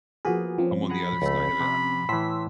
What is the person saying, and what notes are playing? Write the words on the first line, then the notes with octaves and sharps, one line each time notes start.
I'm on the other side of it a
F3 A#3 B3 F#4 G#4 B4
F3 C4 C#4
G#4 F#5 A#5 B5
C#2 A3
C3
A2 E3 C6 E6 B6